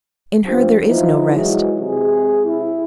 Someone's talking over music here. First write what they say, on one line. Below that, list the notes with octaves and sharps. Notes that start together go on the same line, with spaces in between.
In her there is no rest.
G2 F3 C4
E3 F3 D#4 F4
E3 F#3 G#3
C3 G#3 G#4
E4